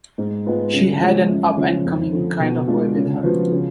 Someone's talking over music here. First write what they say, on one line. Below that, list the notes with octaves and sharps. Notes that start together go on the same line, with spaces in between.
She had an up and coming kind of way with her.
G#2
G#3 B3 F4
C#3
F3 G#3 C#4
F#2
C#3 F3
F2
D3 F3
B2
G#3 D4 F4
C#3
F3 B3 F#4
C#3